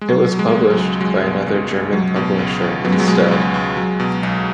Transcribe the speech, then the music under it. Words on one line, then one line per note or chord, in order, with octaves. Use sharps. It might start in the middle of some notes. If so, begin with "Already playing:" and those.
It was published by another German publisher instead.
G#3
F#3
B2
G#3
C#2
F#3
C#2
F#3 G#3
B2
C#2
C#2
F#3
B2
C#2
C#2
F#3 B3
G#3
F#3
B2 G#3
C#2
C#2
F#3
B2
B1